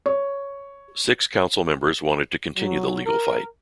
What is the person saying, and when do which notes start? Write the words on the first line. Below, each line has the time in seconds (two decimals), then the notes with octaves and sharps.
Six council members wanted to continue the legal fight.
0.06 C#5
2.57 F#3
3.05 A#4